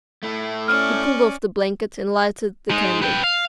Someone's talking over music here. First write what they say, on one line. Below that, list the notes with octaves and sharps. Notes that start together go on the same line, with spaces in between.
He pulled off the blanket and lighted the candle.
A3 E4
C#4 D5 F6
G#3 D#4
B4 G5
F5